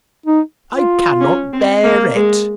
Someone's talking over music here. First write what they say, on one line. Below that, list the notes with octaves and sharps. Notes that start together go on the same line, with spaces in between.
"I cannot bear it!"
D#4
F4
C#4
C4
A#3
G#3